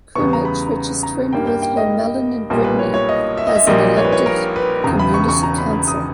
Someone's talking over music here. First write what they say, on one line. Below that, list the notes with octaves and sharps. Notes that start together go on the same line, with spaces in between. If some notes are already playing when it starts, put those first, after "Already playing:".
Crymych, which is twinned with Plomelin in Brittany, has an elected community council.
E2 C#3 G3 B3 C#6
A#5
B5
A#5
G2 G3 A#3 G5
G5
G5
D#5
B1 A#2 G3 A#3
B4
C#5
C#5
D#5
E5
D#5
E5
A#1 A#2 G3 A#3 D#5
C#5
B4
C#5
A#4
B4
E1 E2 C#3 A#5
B5
C#6
C#6
A#5
B5
B5
D#6